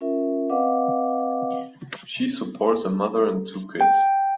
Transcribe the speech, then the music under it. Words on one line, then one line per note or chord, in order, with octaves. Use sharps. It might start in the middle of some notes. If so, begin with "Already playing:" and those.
She supports a mother and two kids.
C#4 F4 A#4 E5
C4 B4 D#5 F5 F#5 D6
G5